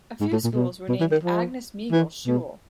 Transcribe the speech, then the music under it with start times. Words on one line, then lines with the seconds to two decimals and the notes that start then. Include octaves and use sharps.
A few schools were named Agnes-Miegel-Schule.
0.21 G#2
0.32 A2
0.44 A#2
0.55 B2
0.89 B2
1.00 E3
1.11 D#3
1.23 F3
1.91 E3
2.26 B2